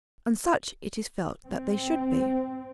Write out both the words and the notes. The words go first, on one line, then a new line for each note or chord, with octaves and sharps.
And such it is felt that they should be.
C4